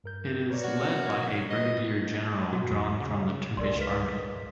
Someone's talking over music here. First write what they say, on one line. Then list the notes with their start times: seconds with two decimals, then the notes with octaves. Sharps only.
It is led by a Brigadier General drawn from the Turkish Army.
0.04 G2 A#4 G6
0.50 A#4 B4 C#5 D5
0.64 F#4
1.15 B2
1.51 B4 D#5
2.53 B2 F#4
2.71 E2
3.00 C#3
3.57 C#2 A#4 D5 C6
3.81 B4 B6